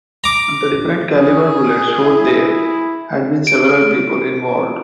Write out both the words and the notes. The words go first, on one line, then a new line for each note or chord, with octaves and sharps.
The different caliber bullets showed there had been several people involved.
A#5 D6
G#4
E4
D7